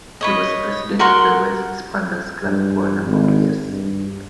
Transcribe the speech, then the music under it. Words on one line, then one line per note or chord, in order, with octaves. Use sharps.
He was President of the Wests Panthers club for a number of years.
B4 C#5 D#5
F#4 A#4 F#5 C6
G2
G#1
G2